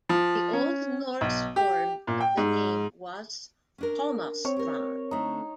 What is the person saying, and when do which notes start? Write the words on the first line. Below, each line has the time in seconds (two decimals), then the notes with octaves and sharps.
The Old Norse form of the name was "Holmastrand".
0.09 F3
0.53 C#4
1.21 B1
1.56 G4
2.07 A#2
2.20 G5
2.37 G#2
3.78 C#4 D4 A#4
4.45 C4 C#5
4.56 G4 A#4
5.11 D3 A3 D#4